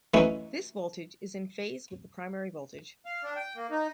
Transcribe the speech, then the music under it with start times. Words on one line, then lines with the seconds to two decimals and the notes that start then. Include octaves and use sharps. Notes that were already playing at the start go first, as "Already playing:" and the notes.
This voltage is in phase with the primary voltage.
0.14 E3 A3 C#4 D#4
3.06 F5
3.23 D4
3.36 G5
3.56 A#3
3.71 D#4